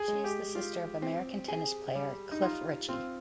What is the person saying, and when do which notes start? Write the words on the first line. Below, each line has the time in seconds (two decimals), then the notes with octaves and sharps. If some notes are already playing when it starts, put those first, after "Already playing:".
She is the sister of American tennis player Cliff Richey.
Already playing: G#4
0.08 G#3
0.24 G4
0.55 F4
1.02 C4
1.48 G#4
1.95 G3
2.31 D#4
2.42 D#4 F4
2.89 C4 F4